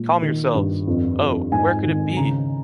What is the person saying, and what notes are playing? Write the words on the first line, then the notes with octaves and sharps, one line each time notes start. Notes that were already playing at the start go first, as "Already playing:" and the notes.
Calm yourselves! Oh, where could it be?
Already playing: A#2 G#3
D#3
G2
F2
F2
G#2 G#5
D#3
C#3 A#5